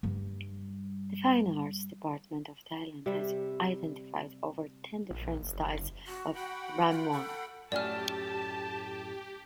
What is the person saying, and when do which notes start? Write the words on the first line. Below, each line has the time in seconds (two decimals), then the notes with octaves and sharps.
The fine arts department of Thailand has identified over ten different styles of "ramwong".
0.03 G2 G3
3.06 C3 G3 E5
5.11 A#1
5.43 F#1
6.07 F#4
6.35 F#4 F#5 G5 B5
6.91 F4
7.11 A4
7.72 F#2 A2 G4 D5 G#5 A5 F6